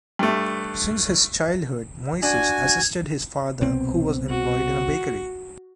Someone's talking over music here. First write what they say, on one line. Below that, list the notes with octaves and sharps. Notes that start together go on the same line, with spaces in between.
Since his childhood Moisis assisted his father who was employed in a bakery.
G2 A3
D4 F#4 G#5 G#6
C2 B2 C4
F#4